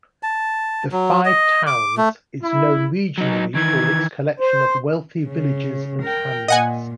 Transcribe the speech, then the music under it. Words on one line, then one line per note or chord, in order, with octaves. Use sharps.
The Five Towns is known regionally for its collection of wealthy villages and hamlets.
A5
F#3
D#5
D6
A3
E4
F#3 D#4
D#3 E3 G#6
C5
C#3
A#4 G5
A#2 D#5 F#5 G#5